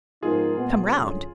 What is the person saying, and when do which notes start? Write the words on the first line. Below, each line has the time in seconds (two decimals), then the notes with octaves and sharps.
"Come round?"
0.22 G#2 F3 B3 D#4 F4 G#4 A#4
0.55 A#2 G#3 B3
0.88 F#2 D3 F#3